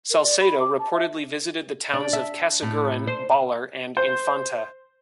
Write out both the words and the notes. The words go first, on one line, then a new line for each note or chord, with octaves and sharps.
Salcedo reportedly visited the towns of Casiguran, Baler and Infanta.
A#4
D5
B5
D6
A5
E5
D4
E5
A2
C5
C5